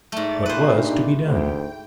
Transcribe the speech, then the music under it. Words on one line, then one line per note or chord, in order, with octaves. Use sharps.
What was to be done?
G#2 A3 D5 A6
A#2 D4 D#4 G4 B4 C5
D2 G5